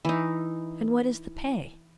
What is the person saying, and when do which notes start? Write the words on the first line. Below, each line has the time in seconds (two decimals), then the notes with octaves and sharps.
"And what is the pay?"
0.05 E3 D#4